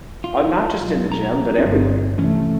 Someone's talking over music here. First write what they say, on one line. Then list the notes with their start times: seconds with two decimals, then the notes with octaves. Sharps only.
Oh, not just in the gym, but everywhere.
0.24 F4
0.79 B2 F#3
1.12 A#5
1.58 G1 C4 D#4
2.18 A2 C3 E3 A3 C#4